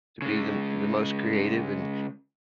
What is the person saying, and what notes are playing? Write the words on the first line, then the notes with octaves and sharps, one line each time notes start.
to be the the most creative, and,
C#3 G#3